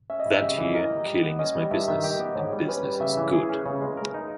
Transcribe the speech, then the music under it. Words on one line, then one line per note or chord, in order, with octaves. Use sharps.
That year, Killing Is My Business... and Business Is Good!
C#4 E5
D#5
G3
E5
C#3 D#5
E3
A#4 D#5
G4
G3
B3
C#4 D#5
G3
G2 E5
D#3 E5
G4 D#5
B3
G#2 C#5
G3
C#4 B4
G3
C#3 E5
E3
G#4
C#4
C#3
G#3
A#4
D#4